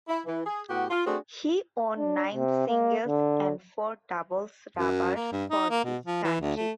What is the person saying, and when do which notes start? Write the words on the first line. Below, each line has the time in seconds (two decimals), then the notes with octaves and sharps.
He won nine singles and four doubles rubbers for his country.
0.08 E4
0.26 E3
0.46 G#4
0.69 A2 B3 F#4 G4
0.89 F4
1.06 A3 C4 D4 F#4 G#4
1.98 D4
2.34 C3
2.68 A#3
3.07 D3
4.77 F#2
5.15 A#3
5.32 G2
5.50 D#4
5.71 A#3
5.84 B2
6.06 F3
6.24 E3
6.41 D2
6.56 A3